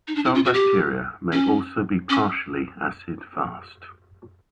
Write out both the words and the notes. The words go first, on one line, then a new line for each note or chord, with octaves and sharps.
Some bacteria may also be partially acid-fast.
D#4
D4
E4
F4
F#4
G4
C#4
C#4